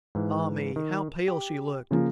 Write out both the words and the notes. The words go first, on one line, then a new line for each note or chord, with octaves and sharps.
Ah me, how pale she looked!
G#2 E3
D#3
G4
C#3 F3 A#3